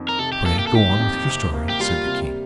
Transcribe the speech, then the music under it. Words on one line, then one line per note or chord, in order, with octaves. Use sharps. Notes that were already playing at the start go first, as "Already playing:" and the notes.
"Pray go on with your story," said the King.
Already playing: F2 D#3
A#4
C3 A4
G4
A#3 A4
G4
A4
D#3 G4
F2
C3
A#3
G4
G3 F4
C3